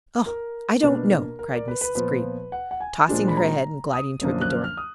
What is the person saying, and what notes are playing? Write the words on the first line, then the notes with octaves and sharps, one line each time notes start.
"Oh, I don't know," cried Miss Greeb, tossing her head and gliding towards the door.
A#4
B2 A#3 D4 B4
A#4
A#4
D5
B4
B4
A#2 F3 B3 F4 B4
F#5
F#5
G#5
A#2 F3 G#3 D4 F4
B5
A#5
D#6
F#2 D3 F3 A#3 D4
F#6
F6
F6
D#6